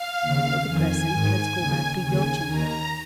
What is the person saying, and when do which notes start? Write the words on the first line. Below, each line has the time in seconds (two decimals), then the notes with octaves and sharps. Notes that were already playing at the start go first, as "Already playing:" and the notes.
For the present let's go back to your chambers.
Already playing: F5
0.22 D#2 C#3
0.66 F2 D#3 G#5
1.11 G#2 D#3
1.56 D#2 C#3
2.01 D#2 C#3 G#5
2.46 D#2 D#3 A#5